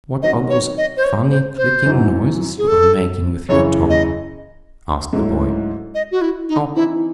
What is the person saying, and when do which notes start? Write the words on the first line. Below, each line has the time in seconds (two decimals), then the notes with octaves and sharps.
"What are those funny, clicking noises you are making with your tongue?" asked the boy.
0.23 D#3 F#3 C4 F#4 D#5
0.50 C#5
0.77 D#5
0.97 C5
1.04 C#5
1.31 C5
1.58 C5
1.86 F#2 E3 C4 D#4 F#4
2.58 G#4
2.68 A4
3.49 F#2 C#3 E3 C#5
3.90 D#5
5.13 G#2 F#3 A3 C#4 E4
5.94 D#5
6.11 F#4
6.21 E4
6.49 D#4
6.75 E3 C4 D#4 E4